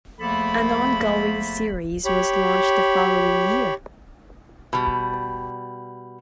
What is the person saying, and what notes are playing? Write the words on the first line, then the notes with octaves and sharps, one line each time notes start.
An ongoing series was launched the following year.
E2 F3 A3 A#3 A4 B5
G4 C#5 B5
B2 G3